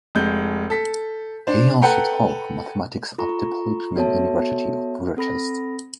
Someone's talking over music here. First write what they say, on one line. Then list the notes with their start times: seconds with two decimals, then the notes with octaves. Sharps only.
He also taught mathematics at the Polytechnic University of Bucharest.
0.15 F1 G#3 G6
0.70 A4 B6
1.47 D4 C5
1.82 A4 B4 F#5 G5 A#5 B5
3.18 F4 A4 A#5 C#6
3.96 B3 F#4 A4 C#5 E5 A5
5.17 C4 A4 B5 A#6